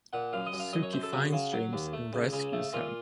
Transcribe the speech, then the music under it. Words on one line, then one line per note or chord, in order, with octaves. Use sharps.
Suki finds James and rescues him.
A#2 F#5
F#2 F5
D#5
F#2
F5
F#2 D#5
C#5
F#2 C5
A4
C#3 F#4
C#3
F#3
D#2
A3
C#2
C#3
A3
A#2 F4